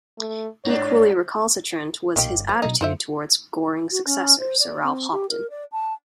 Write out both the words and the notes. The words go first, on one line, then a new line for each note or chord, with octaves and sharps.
Equally recalcitrant was his attitude towards Goring's successor, Sir Ralph Hopton.
A3
G2 D4 C#5
B1 A#2 D#3 F4 G4
G1
F3
B2 F#3 D4 D#4
F#2 D3 F4 C5 E5
F#4
C#4
C5
D5
C4
G4
A#4
D5
A5